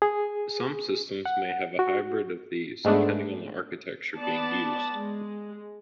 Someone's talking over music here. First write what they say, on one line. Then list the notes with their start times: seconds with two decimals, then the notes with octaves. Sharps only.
Some systems may have a hybrid of these depending on the architecture being used.
0.02 G#4
1.25 F#5
1.79 F#4
2.85 G#2 G#3 A3 B3 D4
4.19 B3 D5 A5
4.94 G#3